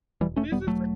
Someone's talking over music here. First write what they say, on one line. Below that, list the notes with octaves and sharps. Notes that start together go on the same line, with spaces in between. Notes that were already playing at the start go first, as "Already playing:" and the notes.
This is
E1 E3 G3
A3 C#4
E1 G3 B3
F#3 A3